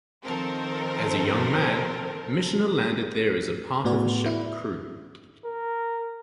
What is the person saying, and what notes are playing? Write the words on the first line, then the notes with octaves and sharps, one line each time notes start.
As a young man, Michener landed there as a part of a ship crew.
D#3 F3 C4 A4 A#4 C5
A2 B3 F#4 D5
E4
A#4